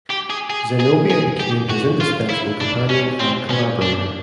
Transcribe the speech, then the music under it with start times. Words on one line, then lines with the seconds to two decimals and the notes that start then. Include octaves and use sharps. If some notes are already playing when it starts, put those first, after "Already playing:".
Zenobia became his indispensable companion and collaborator.
0.10 G4
0.30 G#4
0.50 G#4
0.80 G#4
1.10 G#4
1.40 G4
1.70 F#4
2.01 F4
2.30 E4
2.61 D4
2.90 C#4
3.20 C4
3.51 C#4
3.81 D4